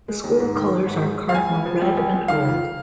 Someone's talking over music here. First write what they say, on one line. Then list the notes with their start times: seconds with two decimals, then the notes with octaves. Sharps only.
The school colors are cardinal red and gold.
0.08 G#3
0.24 D#2
0.40 G#2
0.56 D#3
0.71 G#3
0.87 G#2
1.03 G#3
1.18 G#3
1.29 F5
1.34 C#2 G#5
1.50 C#3
1.66 F3
1.82 C#2
1.98 C#2
2.14 C#2
2.28 D#3 F5
2.45 F2